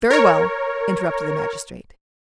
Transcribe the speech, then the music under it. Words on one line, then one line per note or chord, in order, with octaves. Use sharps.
"Very well!" interrupted the magistrate.
A#4 C#5